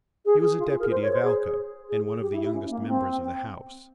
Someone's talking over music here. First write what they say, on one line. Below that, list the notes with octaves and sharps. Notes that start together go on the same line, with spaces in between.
He was a Deputy of Alca, and one of the youngest members of the House.
G#4
F4
G#4
A#4
C5
C#5
C5
G#4
G#4
G4
E4
E4
C#4
A#3
C4